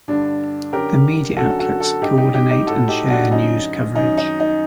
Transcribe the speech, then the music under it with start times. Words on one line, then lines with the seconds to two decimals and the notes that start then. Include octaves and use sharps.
The media outlets coordinate and share news coverage.
0.08 G2 D3 D4
0.73 F#2 D3 G4 A#4
1.37 F#2 D3 F#4 A4
1.59 F#4 A4
1.80 F#4 A4
2.02 G2 D#3 D#4 G4
2.18 D#4 G4
2.34 D#4 G4
2.50 D#4 G4
2.67 A2 F#4 A4
2.88 D#4 G4
3.10 D4 F#4
3.31 F#2 D3 D#4
3.95 F#2 D#3 D#4
4.17 D#4
4.40 D#4